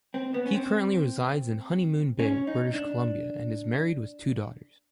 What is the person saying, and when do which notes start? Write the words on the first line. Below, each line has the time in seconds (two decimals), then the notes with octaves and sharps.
He currently resides in Honeymoon Bay, British Columbia, and is married with two daughters.
0.14 C4
0.34 B3
0.46 C#4
0.55 C4
2.19 C#4
2.47 D#4
2.74 D4